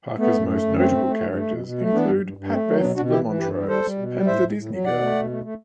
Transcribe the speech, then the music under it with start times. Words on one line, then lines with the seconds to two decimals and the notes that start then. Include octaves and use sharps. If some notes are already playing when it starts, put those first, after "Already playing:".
Parker's most notable characters include Pat-Beth LaMontrose and the Disney Girl.
0.18 A3 B3
0.33 F#2
0.48 A3
0.62 F#2
0.77 A3 C4
0.92 A3
1.06 A3
1.21 G2
1.35 A3
1.50 B2
1.65 B2
1.79 A3
1.93 E3 B3 D4
2.08 G2
2.23 G2
2.37 G2
2.52 A3 C4
2.67 F#3
2.81 B2 B3 D4
2.96 B2 D4 F#4
3.10 E3 E4 G4
3.25 E3
3.39 G2 G4 B4
3.54 G3
3.69 G3 A4 C5
3.84 G3
3.98 B2
4.13 G3
4.27 A2 C5 E5
4.42 A2
4.56 A2
4.72 F#3
4.85 B2 D5 F#5
5.01 A3
5.15 B2
5.30 A3
5.43 A3